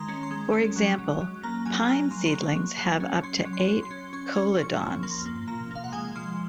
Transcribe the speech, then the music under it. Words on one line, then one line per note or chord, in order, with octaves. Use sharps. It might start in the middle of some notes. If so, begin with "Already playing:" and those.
For example, pine seedlings have up to eight cotyledons.
Already playing: D#3 G#3 A#5 C6
C#4
C6
G#3
C#4
F#3
F#3
F#3
A#3 A#5
F#3 G#5
A#3 A#5
F#3 C6
C6
F#3 C#6
F#3
F#3
C#4
C#4 C6
F#3
C6
F#3
C6
C#4
C#4 C#6
C#4 C#6
F3 C#6
F3
A#3 C6
A#3
F3 A#5
A#3 F5
F#5
G#3 G#5
F3 C6